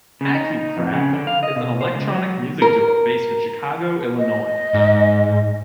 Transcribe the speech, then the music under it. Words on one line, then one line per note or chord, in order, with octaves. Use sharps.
Acucrack is an electronic music duo based in Chicago, Illinois.
C#3
D#4
F2
C#3
D3
F5
D#5
B2
C5
C#2
F#3
A#4
D#5
G#2